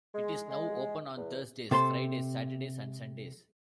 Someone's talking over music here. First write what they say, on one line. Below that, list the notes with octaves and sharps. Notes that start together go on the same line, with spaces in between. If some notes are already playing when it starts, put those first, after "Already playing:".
It is now open on Thursdays, Fridays, Saturdays and Sundays.
G#3
G#3
E2
C3 A4 C5 B5 C6